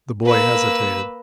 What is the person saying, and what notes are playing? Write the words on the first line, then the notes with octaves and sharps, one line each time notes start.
The boy hesitated.
A#3 B4 E6